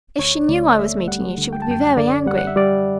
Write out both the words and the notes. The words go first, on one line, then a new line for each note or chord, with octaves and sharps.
If she knew I was meeting you she would be very angry.
D2 C#5
D2 D5
A3 E5
G3 F#5
D3
G5
A5
F#2 G5
D3 D5
G3 F#5
F#5
E5
G3 D5